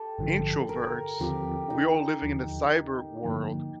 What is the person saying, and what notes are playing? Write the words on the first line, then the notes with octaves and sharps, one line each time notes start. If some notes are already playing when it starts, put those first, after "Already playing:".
introverts. We're all living in the cyber world
Already playing: G4 A4
A1 G2 D3 F3
A#4
D#2 D3 F3 C4 F4 G4
D#4
D#2 D3 F3
G2 D3 F3 A#3